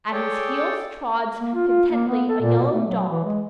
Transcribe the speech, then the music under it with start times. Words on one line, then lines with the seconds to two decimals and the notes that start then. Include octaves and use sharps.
At his heels trots contentedly a yellow dog.
0.12 G#4 A4 C#5 D5 G5
1.39 A#3
1.55 F4
1.68 F4
1.90 A#3
2.08 B3
2.28 A4
2.41 A#2
2.59 B2
2.73 A3
2.87 F#3
3.09 E3
3.25 G#3